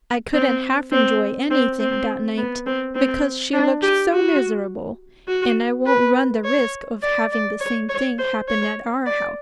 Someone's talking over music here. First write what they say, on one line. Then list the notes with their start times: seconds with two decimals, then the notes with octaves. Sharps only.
I couldn't half enjoy anything that night, because she looked so miserable; and I won't run the risk of having the same thing happen at our house.
0.34 C4
0.92 C4
1.50 C4
1.80 C4
2.38 B3
2.66 C4
2.95 C4
3.53 D4
3.82 G4
4.12 F#4
5.28 F#4
5.86 B4
6.45 C#5
7.02 D5
7.32 D5
7.61 C#5
7.89 C#5
8.19 C5
8.48 C#5
9.06 D5